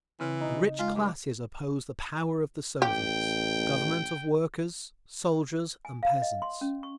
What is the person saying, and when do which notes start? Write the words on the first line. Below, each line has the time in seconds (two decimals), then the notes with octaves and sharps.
The rich classes oppose the power of the Soviets--the Government of workers, soldiers and peasants.
0.20 C#3 E3 C4
0.41 D#4
0.79 G#3 F4
0.95 G2 D6
2.82 A1 G4 G5
5.85 G#5
6.03 F5
6.22 D#5
6.42 C6
6.61 C#4
6.83 C#6